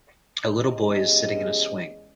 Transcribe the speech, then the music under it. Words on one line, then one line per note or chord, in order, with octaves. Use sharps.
A little boy is sitting in a swing.
E2 C#3 G#3 G4 G#4 D#5